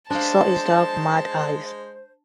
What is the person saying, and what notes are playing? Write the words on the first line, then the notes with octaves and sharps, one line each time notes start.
She saw his dark, mad eyes.
G#3 D4 C5 F5 A5